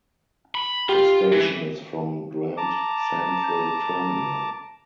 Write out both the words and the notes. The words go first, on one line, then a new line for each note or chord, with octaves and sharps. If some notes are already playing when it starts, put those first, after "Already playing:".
The station is from Grand Central Terminal.
B5
F4 G4
E3
A5 A#5 D6